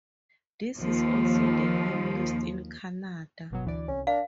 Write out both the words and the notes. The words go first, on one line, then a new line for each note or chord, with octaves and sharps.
This is also the name used in Canada.
D#2 F3
G1 B2 F#3
D2 E3 D5
C2 C#4
D4 A#4 F5